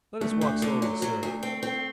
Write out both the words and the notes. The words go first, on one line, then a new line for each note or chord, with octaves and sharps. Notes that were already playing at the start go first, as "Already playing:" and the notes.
Let us walk slowly, sir.
D2 A3
D2
D3
F#3
F#3
D2
C4
C4